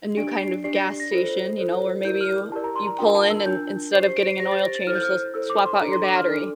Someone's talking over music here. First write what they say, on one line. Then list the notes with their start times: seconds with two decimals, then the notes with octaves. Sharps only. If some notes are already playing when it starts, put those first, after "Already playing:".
a new kind of gas station, you know, where maybe you you pull in and instead of getting an oil change, they'll swap out your battery.
0.17 D4 G4 D5 D7
0.32 D7
0.41 C7
0.64 D4 G4 D5 C7
0.76 A#6
0.88 C7
1.00 A#6
1.11 F4 A4 C5
1.58 F4 A4 C5
2.05 E4 G4 A#4 D5 G6
2.21 F6
2.52 E4 G4 A#4 D5 A5
2.64 A#5
2.76 C6
2.87 A#5
2.99 D4 F4 A#4 G5
3.15 A5
3.30 E6
3.46 D4 F4 A#4 G6
3.93 G4 C5 C7
4.05 C7
4.16 D7
4.28 C7
4.40 G4 A#6
4.43 C5
4.52 A6
4.63 A#6
4.75 A6
4.87 E4 A4 C5 F6
4.95 G6
5.03 F6
5.34 E4 A4 C5 E6
5.50 D6
5.65 C6
5.80 D4 A4 D5 A#5
5.92 C6
6.04 D6
6.16 F6
6.28 D4 A4 D5